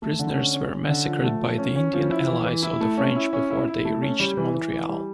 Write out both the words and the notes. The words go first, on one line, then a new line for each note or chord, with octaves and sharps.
Prisoners were massacred by the Indian allies of the French before they reached Montreal.
A3
D3
C#4
C#4
C#4
D3
F3
A3
F3
C#4
C#4
F3
E4
E3
E3
E4
A3
C#4
E4
C#4
E4
E4
A3
C#4
G3
E3
E3
E3
G3